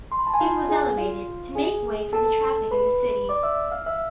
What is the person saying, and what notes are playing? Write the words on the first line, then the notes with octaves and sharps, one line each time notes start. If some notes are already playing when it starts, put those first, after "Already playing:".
It was elevated, to make way for the traffic in the city.
C6
B5
A5
G#5
F4 F5
G#4 G#5
F4 F5
G#4 G#5
A4 A5
B4 B5
D5 D6
E5 E6
F5 F6
E5 E6